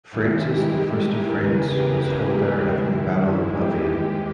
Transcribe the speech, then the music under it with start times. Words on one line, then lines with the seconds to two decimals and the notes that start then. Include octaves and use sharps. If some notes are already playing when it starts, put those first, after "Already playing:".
Francis the First of France was held there after the Battle of Pavia.
0.12 G2 D#3 G#3 E4
0.42 G4
1.05 G4 A#4
1.36 E2 C#3 E3 G#4 B4
1.67 G4 A#4
2.30 G4
2.61 G2 D#3 G#3 E4
3.55 G4
3.86 D#2 D#3 G#3